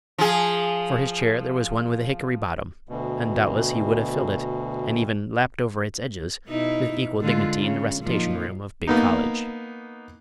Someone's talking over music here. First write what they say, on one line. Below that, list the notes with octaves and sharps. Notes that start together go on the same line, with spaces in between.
For his chair there was one with a hickory bottom; and doubtless he would have filled it, and even lapped over its edges, with equal dignity in the recitation room of Big College.
F3 G#4
D2 B2
B2 D#4 E4
D3 G#3 F4
C#3
A#2 F3 D#4
A#3 B3 D#4